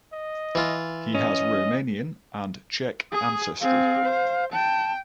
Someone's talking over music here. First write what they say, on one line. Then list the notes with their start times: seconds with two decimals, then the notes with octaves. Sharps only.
He has Romanian and Czech ancestry.
0.13 D#5
0.55 E3 F4
1.15 C#4 D#5
3.12 G#4 D#6
3.61 C4 G#4 F5
4.03 C5
4.52 G5 A5